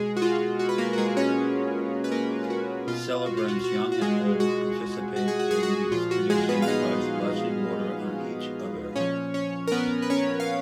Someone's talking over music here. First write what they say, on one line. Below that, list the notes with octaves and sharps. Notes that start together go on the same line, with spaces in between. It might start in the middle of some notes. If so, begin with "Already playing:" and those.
Celebrants, young and old, participate in this tradition by splashing water on each other.
Already playing: B2 G#3 G#4
F#4
F4
F#4
B4
A#3 A#4
F#4
G#3 G#4
C#4 C#5
B4
A#3 A#4
F#4
B2 F4
F#4
F4
F#4
F#4
F#4
G#3 G#4
F#4
F#4
G#4
F#4
G#4
F#4
A#2 F3 F4
F#4
G#3 G#4
B3 B4
F5
D#4 D#5
A#2 F3 C#4 C#5
C#4 C#5
A#4
B3 B4
B4
C#4 C#5
F5